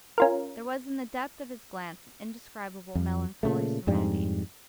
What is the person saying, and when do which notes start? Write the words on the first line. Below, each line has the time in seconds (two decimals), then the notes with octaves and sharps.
There was in the depth of his glance an indescribable melancholy serenity.
0.18 C#4 F4 A#4
2.95 F2
3.43 A#2 C#3 A3
3.87 F2 G#2 G3 D4